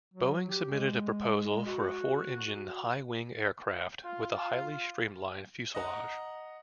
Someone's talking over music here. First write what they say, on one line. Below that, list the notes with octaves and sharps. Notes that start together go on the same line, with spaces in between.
Boeing submitted a proposal for a four-engine, high-wing aircraft with a highly streamlined fuselage.
F#3
G4
G#3
F#4
F4
F4
D#5 F#5 A#5